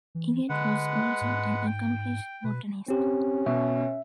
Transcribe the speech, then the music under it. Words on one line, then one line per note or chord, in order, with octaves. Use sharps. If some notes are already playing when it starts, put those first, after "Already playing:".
Egede was also an accomplished botanist.
E3
D3 G#3 B4 F#5
G#2
G5
B2 B4
C4 C#4 G4
B2 E5